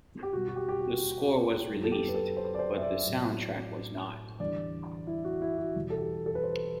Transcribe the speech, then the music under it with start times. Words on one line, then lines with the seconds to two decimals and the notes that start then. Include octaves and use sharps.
The score was released, but the soundtrack was not.
0.23 G4
0.33 B2 G3 F#4
0.48 F#4
0.56 G4
0.69 G4
0.79 F#4
1.70 F#2 F#3
1.84 A4
1.92 G4
2.08 B4
2.14 A4
2.37 C5
2.55 D5
2.59 C5
2.77 E5
2.82 D5
3.04 A2 F#3
4.40 E2 D3 G3 D5
5.07 E4
5.24 F#4
5.42 E4
5.58 F#4
5.76 E2 B2 G3
5.90 A4
5.98 G4
6.26 A4
6.35 B4
6.44 C5